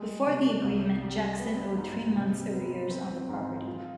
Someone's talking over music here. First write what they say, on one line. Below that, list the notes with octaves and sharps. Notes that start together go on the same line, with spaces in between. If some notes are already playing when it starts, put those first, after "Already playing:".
Before the agreement, Jackson owed three months' arrears on the property.
Already playing: G3 G#3
C3
C2
G3
B3
G#2
C3
B3
C4
G#2
F4